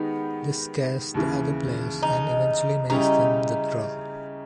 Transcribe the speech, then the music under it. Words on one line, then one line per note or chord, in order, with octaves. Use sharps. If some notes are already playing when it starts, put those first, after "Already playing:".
This scares the other players and eventually makes them withdraw.
Already playing: D#3 G#3 B3 D#4 G4
D#2 C#3 E3
D#4
C#3 G3 C#4 D#4 E4 G4